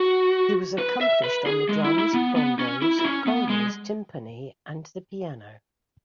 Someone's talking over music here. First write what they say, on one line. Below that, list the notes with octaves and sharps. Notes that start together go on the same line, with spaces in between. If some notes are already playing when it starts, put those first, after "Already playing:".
He was accomplished on the drums, bongos, congas, timpani, and the piano.
Already playing: F#4
B4
E5
B4
G#4
G#3
E4
E4
B3
B3
C#4
E4
E4
C#4
B3
G#3